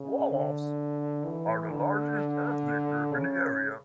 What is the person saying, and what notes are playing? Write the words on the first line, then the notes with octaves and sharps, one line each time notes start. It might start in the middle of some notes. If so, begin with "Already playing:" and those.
Wolofs are the largest ethnic group in the area.
Already playing: C#3
D3
E3
D3
C#3